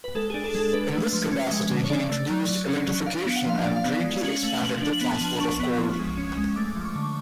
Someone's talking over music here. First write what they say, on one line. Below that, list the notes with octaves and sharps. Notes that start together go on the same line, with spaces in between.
In this capacity he introduced electrification and greatly expanded the transport of coal.
B4
G#3 A4
D4 G#4
A4
G#3 A4
D4 B4
A3
F3
C#4
G#3
D3
C#5
D4 D5
A3
F#3
F#3
C#4
F#3
D4 F5
B3
F#5
F3 F5
D4 D5
F5
B3
G#3
C#4
A3
F3
D4
B3
A5
F3
D4 C#6
B3
F3
G#3
C#4
G#3
A3 D6
F3
D6
C#6
D3